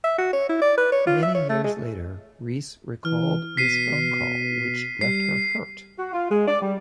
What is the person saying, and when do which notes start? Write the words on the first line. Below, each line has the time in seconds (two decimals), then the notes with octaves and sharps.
Many years later, Reis recalled this phone call, which left her hurt.
0.04 E5
0.18 F#4
0.33 C#5
0.49 E4
0.62 D5
0.77 B4
0.92 C#5
1.07 F4
1.22 E5
1.35 C#5
1.49 A3
1.64 G#3
3.05 E3 F6
3.57 B2 B6 C7 D#7
5.01 G3 C7
5.99 F#4
6.13 F4
6.30 G#3
6.48 D5
6.62 G3